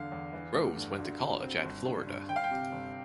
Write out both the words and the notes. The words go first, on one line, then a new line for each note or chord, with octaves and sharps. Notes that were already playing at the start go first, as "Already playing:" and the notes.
Groves went to college at Florida.
Already playing: E2 D3 F5
E2
E3
A3
G2
D2
D2
C4
G1
G2
G2
G1 G5
F5
G5
C3
G1